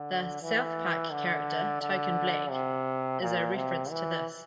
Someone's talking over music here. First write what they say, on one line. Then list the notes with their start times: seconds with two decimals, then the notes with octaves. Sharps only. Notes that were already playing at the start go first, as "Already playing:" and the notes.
The "South Park" character Token Black is a reference to this.
Already playing: D3
0.42 E3
1.12 D3
1.82 D3
2.51 C3
3.21 A#2
3.56 C3
3.91 E3